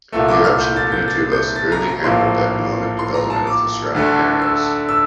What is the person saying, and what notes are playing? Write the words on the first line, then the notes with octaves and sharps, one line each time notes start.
The eruption of Pinatubo severely hampered the economic development of the surrounding areas.
C2 A#2 A3 E5
D6
F6
G6
A6
G6
A6
G6
A6
A#5
A#5
A#1 A2 F3 A#3 C6
C6
A#5
A5
D6
D2 D3 A3
E6
E6